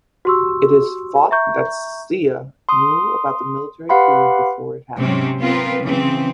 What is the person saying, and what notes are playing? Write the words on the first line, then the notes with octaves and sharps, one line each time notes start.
It is thought that Zia knew about the military coup before it happened.
F#4 G4 C6 C#6 E6
E5 A#5 C#6 G6
C6 D#6
G4 B4 F5 F#5 B5 C6
G#2 C3 F#3 C4 C#4
B3 C4 F4 A#4 B4
C#3 E3 F#3 C4